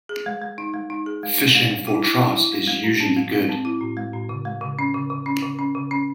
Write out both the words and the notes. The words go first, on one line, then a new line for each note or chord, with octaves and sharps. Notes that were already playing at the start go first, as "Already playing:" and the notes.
Fishing for trout is usually good.
G#4
G#3
G#3
D#4
G#3
D#4
G#4
G#3
G#3
G#3
G#3
E4
E4
E4
E4
G#3
G#3
A2
C4
G#3
G#3
C4
E4
A2
G#3
A2
C#3
G#3
C#3
C#4
C#3
C#3
C#4
C#3
C#4
C#3
C#4